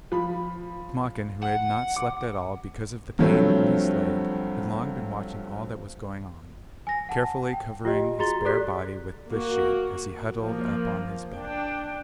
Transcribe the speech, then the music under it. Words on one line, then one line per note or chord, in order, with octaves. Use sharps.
Timokhin, who had not slept at all because of the pain in his leg, had long been watching all that was going on, carefully covering his bare body with the sheet as he huddled up on his bench.
F3 B5
F#5
D6
G2 F3 F#3 A3 C4
G#5 A#6
F#5 A5
G5
F4 G4 D#5
F#4 G#4 A#5 C6 A6 G7
G4 A4 D5 F#6 B6
A#3 F#4
F3 A#3
D4 G5